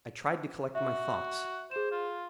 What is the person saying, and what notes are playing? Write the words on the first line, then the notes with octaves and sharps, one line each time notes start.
I tried to collect my thoughts.
F#4 E5
G#4 C5 E7
F4